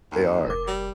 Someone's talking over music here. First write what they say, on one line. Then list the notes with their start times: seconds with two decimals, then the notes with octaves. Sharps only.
They are,
0.12 D#2
0.47 F1 A#4 D6
0.68 G3